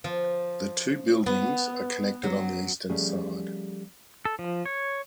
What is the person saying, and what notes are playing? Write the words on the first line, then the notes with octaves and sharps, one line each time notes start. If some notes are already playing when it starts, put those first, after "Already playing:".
The two buildings are connected on the eastern side.
F3
B3
F#3
F3 G3 A3 C#4 G#4
A4
F3
C#5